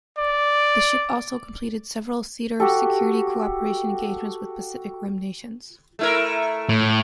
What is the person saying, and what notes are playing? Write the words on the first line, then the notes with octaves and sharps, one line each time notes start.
The ship also completed several theater security cooperation engagements with Pacific Rim nations.
D5
F#4 G4 A4
A3 E4 A#4
A2